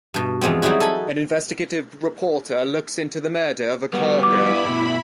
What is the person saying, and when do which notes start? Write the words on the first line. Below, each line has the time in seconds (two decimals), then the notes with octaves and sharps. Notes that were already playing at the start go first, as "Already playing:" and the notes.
An investigative reporter looks into the murder of a call girl.
0.14 G2 B2
0.41 E2 F3 G#3 B3 C4
0.62 F#3 G3 C4 D#4 E4 F#4
0.80 A4 D#5 G#5 B5
3.93 G3 B3 F#4
4.23 E4 B5 D6
4.66 G2 B2